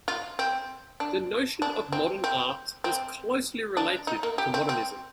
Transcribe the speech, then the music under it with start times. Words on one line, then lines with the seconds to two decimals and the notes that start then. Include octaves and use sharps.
The notion of modern art is closely related to modernism.
0.08 F4
0.39 C4
1.00 D4
1.62 D4
1.92 C4
2.24 C4
2.84 C4
3.77 D4
4.07 D#4
4.23 A#3
4.38 G4
4.54 C4
4.69 C4